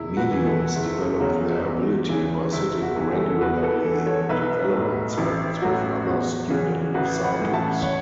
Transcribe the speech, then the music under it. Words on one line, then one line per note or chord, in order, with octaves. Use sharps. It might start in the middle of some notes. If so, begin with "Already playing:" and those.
Mediums develop their ability by sitting regularly in "development circles" with other student psychics.
Already playing: E1 E4
F#4 B4
E2 E3
E4 A4
F#1
E2 C#3 F#3
E2
C#3 E3
F#1 E4
F#4
E2 E3
E4 A4
A4
E2 F#4 B4
B4
E4 A4
E3 E4 A4
A4 C#5
B1 B4 E5
A2 F#3
A1 E4
A2 F#3 F#4
E2 F#4
C#3 E3
A1 F#4 B4
F#5 B5
A2 E3
E5 A5
C#5 F#5